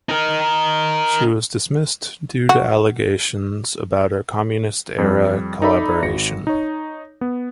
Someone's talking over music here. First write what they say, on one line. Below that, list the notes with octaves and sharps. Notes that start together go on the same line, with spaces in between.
She was dismissed due to allegations about her communist-era collaboration.
D#4 A#4
F#4
F2 G3
D#4 A4 D5 E5 B5
G#1 F#4 A#6 C#7
D#4 C#5
B3